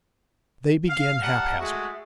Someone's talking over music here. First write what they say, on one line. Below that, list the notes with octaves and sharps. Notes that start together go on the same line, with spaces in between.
They begin haphazard.
F5
G3 F#5 A5 A#5 F6
G#3 A3 F#4 G#4 E5